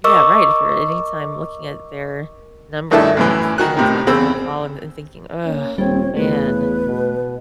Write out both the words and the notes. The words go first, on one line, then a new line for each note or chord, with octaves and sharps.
Yeah, right, if you're at any time looking at their number or seeing a text or a call and and thinking, "Ugh, man,"
A#4 D#5 C#6 D6 E6
C#2 G2 A3 E4 A5
F#2 A2 E3
D#3 F#4 F#6
A2 C3 D#3
E2 C#3 C4 E6
A#3 C#4
D#1 G3 C4 C#5
E2 C#3 A3 B4
B2